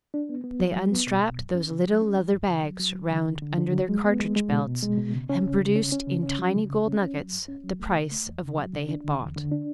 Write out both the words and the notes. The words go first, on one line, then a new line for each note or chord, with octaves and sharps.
They unstrapped those little leather bags round under their cartridge belts and produced in tiny gold nuggets the price of what they had bought.
D4
B3
B3
F#3
F#3
B3
B2
B2
F#2
C#4
C#3
F#3
C#4
F#3
F#2
C#3
F#3
F#3
F#3
D3
D3
D3
D3
F#3
G#3
B3
G#3
G#3
B2
B2
G#3
B2
C#3
C#4
C#3
C#3
C#4
C#4
C#3
C#4
F#3
C#3
C#3
C#4
C#4
F#3
F#2
C#4
F#3
A3
C#3
A3
E2
C#3
F#3
C#3
D4
D3
E2
D3
D4